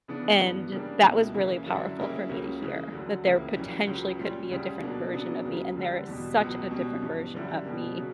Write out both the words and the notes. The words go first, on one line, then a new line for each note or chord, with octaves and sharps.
and that was really powerful for me to hear, that there potentially could be a different version of me, and there is such a different version of me,
C#3 E3 B3 D4
G2 E3 B3
C#3 G3 A#3 D4
C#2 B2 A#3 E4
C#3 E3 A#3 E4
F#2 D3 F#3 C#4 E4
C#3 G3 A#3 C#4 E4
C#2 C#3 F#3 A#3 C#4
C#3 E3 A#3 C#4
D2 D3 F#3
C#2 C#3 E3 A#3 E4
F#2 E3 G3 A#3 C#4
C#2 C#3 F#3
A#2 G3 C#4
D2 C#3 G3
B2 F#3 A#3 D4
C#3 F#3 B3 D4
C#2 C#3 F#3 A#3
D2 D3 G3
E2 B2 G3
C#2 B2 F#3
B2 G3 C#4
G2 E3 B3
F#2 D3 G3 C#4 E4
B2 G3 A#3
C#3 F#3 C#4